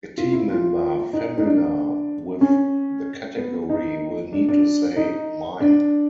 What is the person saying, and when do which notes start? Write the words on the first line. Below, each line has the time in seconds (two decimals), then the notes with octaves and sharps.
A team member familiar with the category will need to say Mine!
0.18 F4
0.33 E4
0.50 F4
1.13 D#4
1.38 D#4
1.45 D4
2.41 C#4
3.37 B3
3.69 D#4
4.33 D4
4.49 D4
4.96 D#4
5.60 D4